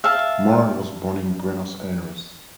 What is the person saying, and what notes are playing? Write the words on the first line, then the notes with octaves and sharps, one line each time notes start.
Morel was born in Buenos Aires.
E5 F5 A5